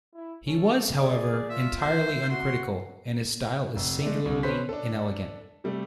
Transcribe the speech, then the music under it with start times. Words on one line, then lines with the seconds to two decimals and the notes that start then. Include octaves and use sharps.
He was, however, entirely uncritical, and his style is singularly inelegant.
0.14 E4
0.47 C#4 A4
1.00 G#4 D5
1.50 F4 E5
1.80 C5 E5
2.30 F#4 C6
3.76 F1
4.02 G#3 A3 D4
4.26 C2
4.43 B2 C#4 B4 C5 B6
4.69 D4 A4
5.64 C3 G3 A3